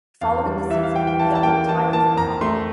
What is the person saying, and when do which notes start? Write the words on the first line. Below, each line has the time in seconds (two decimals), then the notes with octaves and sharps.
Following the season, Young retired from hockey.
0.21 E2 F5
0.46 G3
0.70 E3 E5
0.83 F5
0.95 E3 G5
1.07 G5
1.19 E3 A5
1.35 A5
1.43 A#3 G5
1.68 E3 A5
1.93 A#3 A5
2.16 F2 A#5
2.41 A3 C6